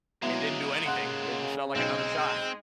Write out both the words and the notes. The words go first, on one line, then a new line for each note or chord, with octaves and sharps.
it didn't do anything, it just felt like another shot.
F#3 G#3 A#3 B3 E4
C#3 F#5 C6 F#6
B1 G#3 C4